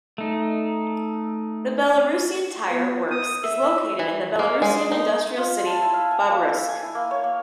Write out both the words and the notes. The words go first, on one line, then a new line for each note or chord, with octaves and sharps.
The Belarusian tyre works is located in the Belarusian industrial city Babruysk.
A3 D#4
B3
D#6
E5
E3
A#3
G#3
D#4
F4
A5
E4
F5
G#5
A#3
A4
G#5
E4
A#3
C#5
A#3